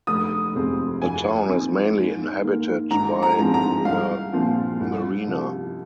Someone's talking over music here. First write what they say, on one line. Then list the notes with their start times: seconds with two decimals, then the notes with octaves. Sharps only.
The town is mainly inhabited by the Merina.
0.07 F1 D#6
0.55 F2 C3 G#3 C4
1.02 F2 G#5
1.49 D#3 C4
1.96 G#2
2.43 D#3 A#3
2.91 G#1 A#5
3.23 A#5
3.38 G#2 F3 G#3 C4
3.54 A#5
3.85 C2 F5
4.33 A#2 F3 C4
4.80 C2
5.28 C3 F3